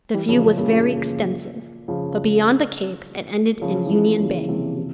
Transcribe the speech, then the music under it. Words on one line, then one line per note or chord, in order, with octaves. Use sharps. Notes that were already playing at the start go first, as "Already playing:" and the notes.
The view was very extensive, but beyond the cape it ended in Union Bay.
E3 G3
C#3 F3
C#3 F3
A#2 C#3
C#3 F3
C#3 F3
C#3 F3
E3
C#3 F3
A#2 C#3
C3 E3
C3 E3